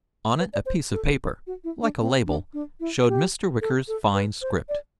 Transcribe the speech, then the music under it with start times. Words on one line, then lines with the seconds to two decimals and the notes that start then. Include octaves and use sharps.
On it a piece of paper, like a label, showed Mr. Wicker's fine script.
0.39 B4
0.53 D5
0.66 C5
0.92 A4
1.47 F#4
1.64 E4
1.82 D4
2.01 C4
2.26 D4
2.53 D4
2.80 E4
3.08 G4
3.61 A4
3.88 A4
4.14 B4
4.42 C5
4.69 D5